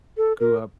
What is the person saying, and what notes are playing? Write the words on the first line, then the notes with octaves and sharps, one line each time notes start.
grew up
A4
A#4